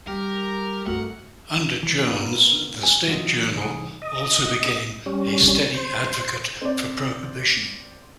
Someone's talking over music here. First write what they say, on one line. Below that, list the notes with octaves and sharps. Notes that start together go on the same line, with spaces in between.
Under Jones the "State Journal" also became a steady advocate for Prohibition.
G3 G4 A#4
G2 A3 C4 F#4 A#4 F#5
E3
B3 F4 A#4
G#5
E3 F#3 C#4 F4 D#5
C2 E3 D#4 G#4
D#5
G3 C#4
C5
C4 D5